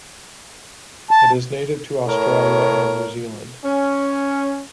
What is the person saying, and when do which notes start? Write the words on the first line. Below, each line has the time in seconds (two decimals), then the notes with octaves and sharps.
It is native to Australia and New Zealand.
1.11 A5
2.07 A2 A#4 C#5
3.65 C#4